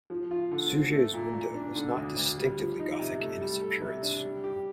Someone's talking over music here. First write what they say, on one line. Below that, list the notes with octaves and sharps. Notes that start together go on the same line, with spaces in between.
Suger's window was not distinctively Gothic in its appearance.
F3
F4
D3
C4
A3
A#2
A#2
D4
D3
D2
D2
G3
F3
D#4
C3
A3
G3
A4
C3
D4
G3
G4